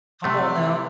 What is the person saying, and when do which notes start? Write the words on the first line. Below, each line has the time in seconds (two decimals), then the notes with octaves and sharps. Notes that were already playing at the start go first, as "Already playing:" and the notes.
Come on, now.
0.24 C3 A3